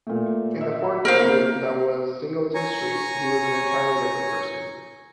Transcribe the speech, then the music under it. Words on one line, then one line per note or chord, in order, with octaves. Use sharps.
In the foreign country that was Singleton Street he was an entirely different person.
A#2 A3
D#5 E5
B5
A#4 C5 F5
C3 A#3
C#5 G#5 A#5 C#6